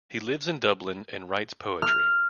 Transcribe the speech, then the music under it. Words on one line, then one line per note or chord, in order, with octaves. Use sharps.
He lives in Dublin and writes poetry.
F6